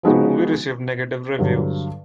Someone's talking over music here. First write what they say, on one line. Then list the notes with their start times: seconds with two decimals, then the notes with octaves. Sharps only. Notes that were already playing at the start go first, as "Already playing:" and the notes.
The movie received negative reviews.
0.03 F3 G#3 B3 D#4 F#4
1.38 G2 D3 F#3